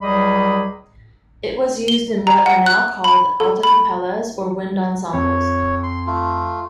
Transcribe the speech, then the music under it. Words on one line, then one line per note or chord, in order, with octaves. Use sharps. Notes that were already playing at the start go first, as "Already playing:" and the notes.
It was used in what are now called alta capellas or wind ensembles.
C#2 F#3 G3 G#4 D#5 B5
G7
A#5
F#5
F#6
B5
A4
B5
F2 C#5
C6
A3 F4